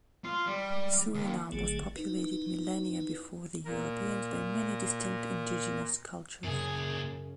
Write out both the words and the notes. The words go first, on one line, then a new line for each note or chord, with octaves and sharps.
Suriname was populated millennia before the Europeans by many distinct indigenous cultures.
F4
G3
D#2
G#1 D3 F#3 A3 G#4
D#4 E4 B4
A#2 A#4
F#2 A#2 C#3 G#4